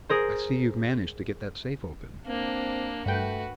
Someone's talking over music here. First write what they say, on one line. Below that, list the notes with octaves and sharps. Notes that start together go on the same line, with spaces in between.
I see you've managed to get that safe open.
G#4 A#4 C5
A#3 C4 D4
G2 A3 F#4 B4 G5